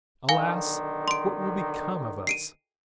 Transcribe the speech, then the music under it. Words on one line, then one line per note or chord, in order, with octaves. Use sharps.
Alas, what will become of us?
B1 D3 D#3 F5 G#5 G7
C6 D7
C7 D7 D#7